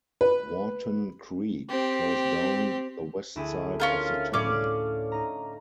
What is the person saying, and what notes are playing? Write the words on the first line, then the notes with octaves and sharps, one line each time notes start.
Wharton Creek flows down the west side of the town.
B4
C4 G4
D2 E4 G#4
C#4 F4 A#4
A2 C#4 D5 F5 D6
D#4 A#5